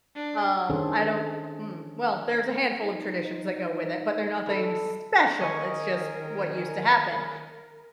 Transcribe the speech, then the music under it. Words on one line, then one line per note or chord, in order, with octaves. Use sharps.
Um, I don't hmm? Well, there's a handful of traditions that go with it, but they're nothing special, it's just what used to happen,
D4
D#3 C#4 D4 G#4 A4 C5
D#4
E2 A4
D#3 C#4 G#4 A#4 D#5 G#5 C#6